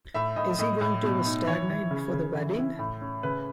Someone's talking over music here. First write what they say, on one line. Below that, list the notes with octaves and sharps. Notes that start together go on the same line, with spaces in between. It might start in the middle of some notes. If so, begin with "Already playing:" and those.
Is he going to have a stag night before the wedding?
A2 E5
A2 D#5
A2 D#5
A2
B2
D#4
E3 C#5
E3
C#3
C#3
E3
E4
A2
C#4
C#3 B4